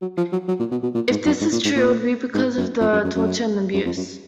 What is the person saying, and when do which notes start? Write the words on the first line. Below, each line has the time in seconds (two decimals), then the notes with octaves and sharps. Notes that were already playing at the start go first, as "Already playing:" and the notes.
If this is true it would be because of his torture and abuse.
0.02 F#3
0.17 F3
0.32 F#3
0.48 F#3
0.59 A#2
0.71 B2
0.83 B2
0.95 A#2
1.10 G#2
1.25 F#2
1.41 G#2
1.53 A#2
1.65 G#2
1.76 A#2
2.34 G#2
2.58 F#2
2.81 F2
2.92 F#2
3.04 F#2
3.16 F#2
3.74 F#2
3.86 F2
3.97 F#2